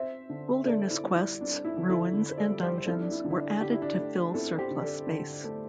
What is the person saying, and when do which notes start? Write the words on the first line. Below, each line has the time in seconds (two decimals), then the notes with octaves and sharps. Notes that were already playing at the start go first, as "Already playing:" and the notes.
Wilderness quests, ruins, and dungeons were added to fill surplus space.
Already playing: C4 C5 E5
0.29 D3
0.67 D3 A4 D5
0.91 E4
1.03 G3
1.16 E4
1.40 C4 D4
1.65 E4
1.76 D3
1.89 E4 A4
2.13 D3
2.29 C5
2.38 A4 D5
2.50 G3
2.63 G4 C5
2.78 C5
2.86 C4 E4 A4
3.01 D4
3.11 E4
3.24 D3
3.30 E4
3.36 D4
3.61 D3 G4
3.72 E4
3.82 D4
3.94 A3 E4
4.34 C4 E4 A4
4.58 G4 C5
4.71 D3
4.82 A4 D5
5.07 D3
5.44 A3